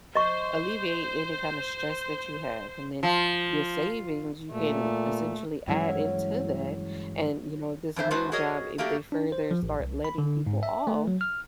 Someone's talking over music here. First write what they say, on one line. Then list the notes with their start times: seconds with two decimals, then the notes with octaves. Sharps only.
alleviate any kinda stress that you have, and then your savings, you can essentially add into that and, you know, this main job, if they further start letting people off,
0.15 C5 D#5 C#6
3.03 F3
4.52 A#2 A3
5.68 G2 E3 F#3 G#3 C#4 E4
7.96 F2 E3 C5 E5
8.10 E3 G#3 D4 F#4 B4 C5
8.32 F#4 G#4 A#4 C#5 D#5
8.78 A3 A#3 D4 F#4 G4
9.12 D4
9.32 C5
9.51 F3
9.63 A1
9.80 C2
10.04 B5
10.18 D3
10.46 G#2
10.63 E5
10.87 A3
11.07 F#3
11.21 F6